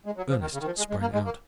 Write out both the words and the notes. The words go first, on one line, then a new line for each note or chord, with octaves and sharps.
Ernest sprang out.
G#3
F#3
F3
D#3
C#3
D#3
F3
G#3
G#3
A#3
G#3
A#3